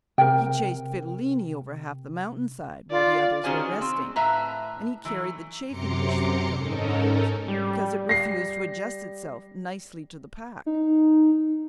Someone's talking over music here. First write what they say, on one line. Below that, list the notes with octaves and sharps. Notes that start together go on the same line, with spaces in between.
He chased Fidilini over half the mountainside while the others were resting, and he carried the chafing-dish for a couple of miles because it refused to adjust itself nicely to the pack.
C3 A#4 G5
F4 D5
D#3 C#4 F#4 G#4 C5 G#5
C4
A2 B4 E5 F5 A#5
E3 F#3 A3
F#2 C3 A#5 C6 D6 C#7
G#2 C#4 D#4 A4 A#4
G3
A#6 C7
D#4